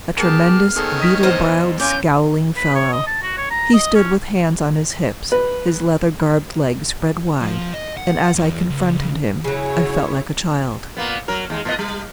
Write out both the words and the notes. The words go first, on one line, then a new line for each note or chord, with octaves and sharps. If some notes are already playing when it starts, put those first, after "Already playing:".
A tremendous, beetle-browed, scowling fellow. He stood with hands on his hips, his leather-garbed legs spread wide; and as I confronted him, I felt like a child.
B3 G4 G#4 A#4 A5 F6
D#3 B3 C#4 G#4 A4
D#5 D#6 B6
E2 C5 D#5
C#4 F4 G#5 D6 G6
B4
C#5
D#5
A5
F#4
C#5
A#5
D#5
C#4
B4
F3
D#5
F#5
E2
C#2
C#3 F#3 E4 G#4 C#5
A#2 A#3 B3
F#3 A#4
D#2 G#3
A2 B3 D#5
G3